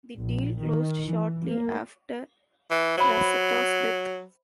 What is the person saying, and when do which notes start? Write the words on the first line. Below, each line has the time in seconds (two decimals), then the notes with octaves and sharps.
The deal closed shortly after Frazetta's death.
0.20 A#1
0.62 D#3
1.08 E3
1.48 A#3
2.71 E3
2.97 F#3 C5 E5 B5